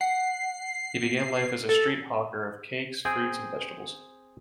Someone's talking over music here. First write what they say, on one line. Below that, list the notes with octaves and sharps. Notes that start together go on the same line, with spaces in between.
He began life as a street hawker of cakes, fruits and vegetables.
F#5 C7
A4
C4 G#4 G5